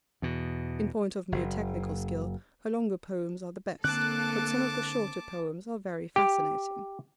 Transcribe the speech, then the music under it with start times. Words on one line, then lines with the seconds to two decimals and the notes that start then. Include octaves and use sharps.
In point of mere technical skill, her longer poems are the best; but some of the shorter poems are very fascinating.
0.22 E2 B2
1.32 F#1
3.84 D3 A#3 C4 A4 A5 D6 F#6
6.16 G4